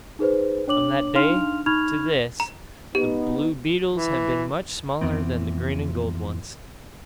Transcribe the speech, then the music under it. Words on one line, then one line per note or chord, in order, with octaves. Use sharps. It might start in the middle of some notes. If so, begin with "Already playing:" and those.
From that day to this the blue beetles have been much smaller than the green and gold ones.
D#4 G#4 B4 C5
D4 C#5 D6 F#7
D4 D#4 F5 C6 F6 F7
D#4 B5 C#6 F6 G#6 F7
A#5
B3 D#4 G4
E3
F2 E3 B3 C4